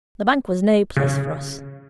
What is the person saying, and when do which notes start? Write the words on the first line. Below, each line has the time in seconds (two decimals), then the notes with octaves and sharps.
The bank was no place for us.
0.97 C#3